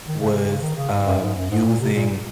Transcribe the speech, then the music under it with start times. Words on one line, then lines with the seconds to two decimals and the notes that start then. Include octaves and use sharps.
was, um, using
0.07 D#3
0.20 C#3
0.32 C3
0.47 C#3
0.62 D#3
0.77 C#3
0.92 G#2
1.06 F#2
1.21 G#2
1.36 F#2
1.51 G#2
1.65 A#2
1.81 C3
1.95 A#2